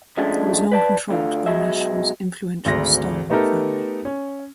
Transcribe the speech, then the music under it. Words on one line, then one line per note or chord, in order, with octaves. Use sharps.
It was long controlled by Nashville's influential Stahlman family.
G2 F3 G#3 A3 C#4 D4
B4 D5 A5
D2 D3 F4
B1 G#2 F#3 G#3 E5
G#1 D2 G#2 A#6
A3 B3 D#4 G4 A4 A#4
C#4